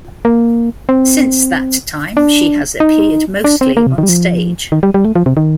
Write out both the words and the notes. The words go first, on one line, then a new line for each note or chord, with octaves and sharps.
Since that time she has appeared mostly on stage.
A#3
C4
D4
D#4
D4
C4
A#3
C3
D#3
G3
F3
D#3
G3
G3
A3
F3
C3
D#3